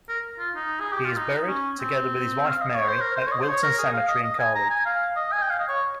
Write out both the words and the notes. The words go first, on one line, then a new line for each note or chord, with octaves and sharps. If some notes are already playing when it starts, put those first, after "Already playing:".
He is buried, together with his wife Mary, at Wilton Cemetery, in Carluke.
A#4
F4
D#4
G#4
G4
F4
D#4
C#4
C4
F5
D#5
C#5
C5
A#4
C5
C#5
D#5
C5
C#5
A#4
G#4
F5
D#5
D#5
G#5
A#5
G#5
F5
D#5
G#5
G5
F5
D#5
C#5